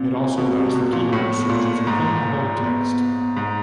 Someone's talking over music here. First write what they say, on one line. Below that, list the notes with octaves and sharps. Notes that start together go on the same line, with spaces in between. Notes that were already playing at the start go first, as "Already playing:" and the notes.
It also allows for keyword searches within the whole text.
Already playing: A#2 C4
B2
C3
B2
A#2
A2 B3
A#2
G#2 A#3
B3
G#2